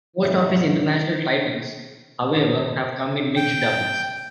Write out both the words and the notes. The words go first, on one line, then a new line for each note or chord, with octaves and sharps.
Most of his international titles, however, have come in mixed doubles.
G#2 C3 E3
G5